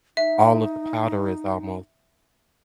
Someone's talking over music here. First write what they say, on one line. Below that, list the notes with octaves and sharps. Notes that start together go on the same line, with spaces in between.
all of the powder is almost
D#4 E5